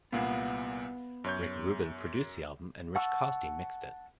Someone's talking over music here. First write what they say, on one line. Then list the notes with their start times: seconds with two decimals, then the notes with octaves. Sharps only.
Rick Rubin produced the album and Rich Costey mixed it.
0.13 C2 A#2 B3 F5 F#5
1.24 F#2 C#5 G6
2.96 F#5 A5 C#6 E6